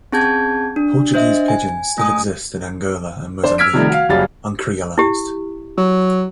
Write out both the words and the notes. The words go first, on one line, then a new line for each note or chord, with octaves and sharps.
Portuguese pidgins still exist in Angola and Mozambique, uncreolized.
C4 C#4 G#4 A5 G6 G#6
D4
D4 C5 D#5 E5
G#5
A3 G#5 D#6
D4 C5
E6 F6 G#6 B6 D7
C3 D#3 F3 G3 A3
F#4 F5
F#1 F#3 G3 G4 F5 A6
E4 G4
F#3